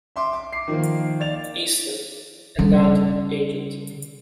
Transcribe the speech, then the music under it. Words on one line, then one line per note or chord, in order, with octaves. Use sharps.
Easton, a land agent.
E5 C6 D6
D6
C7
D#3 F3 A#3
D5 A6 F7
C#3 G3